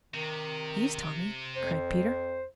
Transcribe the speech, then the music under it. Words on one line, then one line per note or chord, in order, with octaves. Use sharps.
"Please, Tommy," cried Peter.
C3 D#3
F2 C5